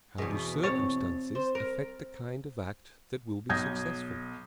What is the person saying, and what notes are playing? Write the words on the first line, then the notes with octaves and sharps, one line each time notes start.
How do circumstances affect the kind of act that will be successful?
E2 B2 G#4
E2 B2 C4 C#5 A6
C5
A#4
B1 D#6 G6 G#6 A#6